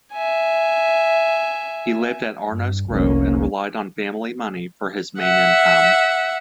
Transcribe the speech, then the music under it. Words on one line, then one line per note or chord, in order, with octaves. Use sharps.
He lived at Arnos Grove and relied on family money for his main income.
E5 G#5
G2
F1 C2 D3 A#3 C#4
E5 F#5